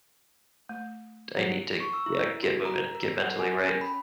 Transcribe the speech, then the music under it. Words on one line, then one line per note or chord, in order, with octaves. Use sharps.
t I need to yeah, get moving, get mentally right.
A3
F#3
C#6
E6
E4
F#4
A#5
A#4
F#5
G#5
C#4
B5